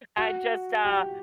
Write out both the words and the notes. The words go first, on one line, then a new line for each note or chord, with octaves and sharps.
I just, uh,
F#4
G4